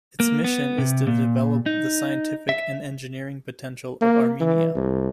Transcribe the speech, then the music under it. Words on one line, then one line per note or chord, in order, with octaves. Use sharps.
Its mission is to develop the scientific and engineering potential of Armenia.
A#3
B3
C3
A#2
D#4
E5
A#3
E3
C2